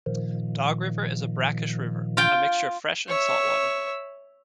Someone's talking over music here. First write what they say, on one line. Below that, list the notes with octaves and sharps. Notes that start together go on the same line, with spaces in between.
Dog River is a brackish river - a mixture of fresh and saltwater.
A#2 D#3 F3
F4 G5
C#5 E5